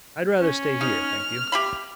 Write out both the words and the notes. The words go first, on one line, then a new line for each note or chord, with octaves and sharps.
I'd rather stay here, thank you.
C#4
D#4 F6
G4 E5 B5